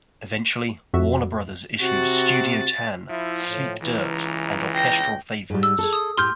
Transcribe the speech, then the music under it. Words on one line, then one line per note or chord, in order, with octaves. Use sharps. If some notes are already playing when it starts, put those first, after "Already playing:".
Eventually, Warner Brothers issued "Studio Tan", "Sleep Dirt" and "Orchestral Favorites".
F2 F#4 E5
C3 F#4 A6
F3 E4 E5
A2
C#2 E3 A#5
G5 A#6
G#2 G3
E6
G#4 A4
D#6
A2 G4 C6 F6 G6